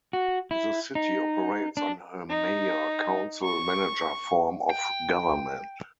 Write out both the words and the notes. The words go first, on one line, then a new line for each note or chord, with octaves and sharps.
The City operates under a Mayor-Council-Manager form of government.
F#4
E4
D#4
D4
D#4
C#6
G5